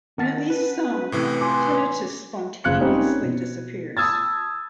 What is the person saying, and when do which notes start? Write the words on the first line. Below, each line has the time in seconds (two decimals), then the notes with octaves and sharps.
In at least some, tinnitus spontaneously disappears.
0.18 D#3 C#4 F#5 A5
0.50 B4
1.12 A2 C3 E3
1.41 F4 G#5 C6 D6
2.64 F#1 C#3 F4 F#6 G#6 C#7
2.80 G3 A#3 C4 C#4 D#4
3.22 B2
3.97 A5 B5 D#6 E6 G#6 A6